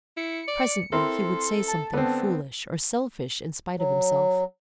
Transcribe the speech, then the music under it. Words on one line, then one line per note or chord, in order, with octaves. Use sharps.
Presently he would say something foolish or selfish in spite of himself.
E4 C#7
D5
C4 E4 A4 A#4 C6
A5
D3 B3 C4
F#3